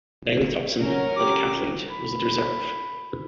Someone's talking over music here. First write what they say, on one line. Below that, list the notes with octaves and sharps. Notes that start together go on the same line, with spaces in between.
Daley Thompson, the decathlete, was a reserve.
F#3 C#4 A#4
G4 D6
B5